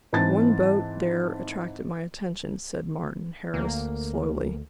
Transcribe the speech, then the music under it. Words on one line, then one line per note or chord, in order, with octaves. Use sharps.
"One boat there attracted my attention," said Martin Harris slowly.
G#2 E3 C4 A5 A6
D2 A#3